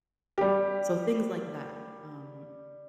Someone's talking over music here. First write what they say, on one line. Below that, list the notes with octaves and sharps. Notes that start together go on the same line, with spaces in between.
So things like that. Um,
G3 G4